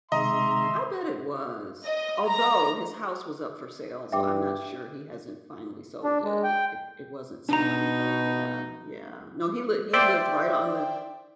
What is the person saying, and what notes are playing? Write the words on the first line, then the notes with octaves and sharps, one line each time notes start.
I bet it was, although his house was up for sale, so I'm not sure he hasn't finally sold it it it wasn't selling, but yeah, yeah, no, he lived he lived right on the
C3 D#3 G#3 D#5 E5 A#5 C6
D#5
A#5
G2 E5 G5 D6
D4
G#3
G5
B2 D4 D#4 A#5
C5 D5 E5 G5